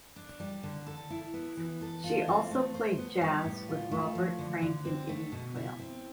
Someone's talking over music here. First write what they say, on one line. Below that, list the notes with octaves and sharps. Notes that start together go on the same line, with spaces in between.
She also played jazz with Robert Frank and Iggy Quail.
D4
G3
D3
A4
E4
B3
E3
A4
F4
C4
A3
C5
B3
G3
A2
F4
A3
F3
D3
D3
C4
A3
B2
E4
C4